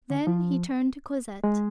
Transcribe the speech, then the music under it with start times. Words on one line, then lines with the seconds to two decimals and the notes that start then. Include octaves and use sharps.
Then he turned to Cosette.
0.10 D3
0.27 F3
1.44 G#3